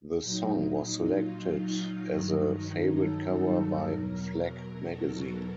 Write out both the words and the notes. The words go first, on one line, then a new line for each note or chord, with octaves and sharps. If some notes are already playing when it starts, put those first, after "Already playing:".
The song was selected as a favourite cover by Flak Magazine.
A#2 F#3 D#4
F4
D#4
G2 D#3 F#3
D#4
A4
E2 B2 F#3 A#4
A4